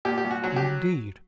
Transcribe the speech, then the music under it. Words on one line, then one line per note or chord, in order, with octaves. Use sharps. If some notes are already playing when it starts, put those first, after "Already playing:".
No, indeed!
A#2 G4
G4
C2
F#4
F#3 F#4
G4